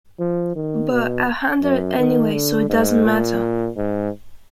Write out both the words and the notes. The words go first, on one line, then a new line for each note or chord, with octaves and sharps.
But I'll handle it anyway, so it doesn't matter.
F3
D#3
B2
F#2
D#3
D3
G#2
A#2
G#2